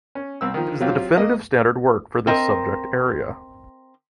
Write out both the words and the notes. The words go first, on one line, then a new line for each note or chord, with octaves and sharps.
It is the definitive standard work for this subject area.
C#4
C2 C4 E6
D#3 F3
F#3 C4 F4 G4
A#3 D#5
C4 A#4 D#5